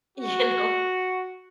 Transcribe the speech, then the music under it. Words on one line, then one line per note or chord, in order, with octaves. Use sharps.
you know.
F#4